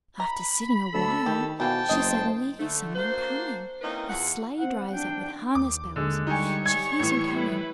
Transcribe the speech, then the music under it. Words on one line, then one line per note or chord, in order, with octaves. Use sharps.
After sitting a while, she suddenly hears someone coming... a sleigh drives up with harness bells; she hears him coming!
A#5 B5
D2 A4 E6
D#3 G4
B2 E3 A#3 C4 G5 A5
F#1 C5 D#5
D3 A3
A#3 D4 F#4 C5
A#3 C4 C#4 D#4 E4 B4
E2 F4 F#5
C4 F#5
D4 G5
D#2 D6
D3 G#3
G3 D#4 G4 G#5 C#6
C#5 C#6 G#6
A2 E3
E4 B4